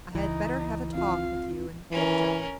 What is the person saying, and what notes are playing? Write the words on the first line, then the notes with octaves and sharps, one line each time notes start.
"I had better have a talk with you and get it over."
C#2 D3 E3 D#4
C4 F4 F5
E3 C#4 A#4